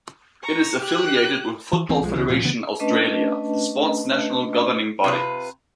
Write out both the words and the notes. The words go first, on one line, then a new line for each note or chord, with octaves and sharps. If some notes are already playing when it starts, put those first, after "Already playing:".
It is affiliated with Football Federation Australia, the sport's national governing body.
A#5 C#6
G4 F#6
E3
D2 E3 C4
B1 F3 G3 G#3
C#2 C#3 E3
D2 A#2 F3
D2 C#3 E3 B3
A3 C#4 D4 B4 D#5 A5
C3 F4 B4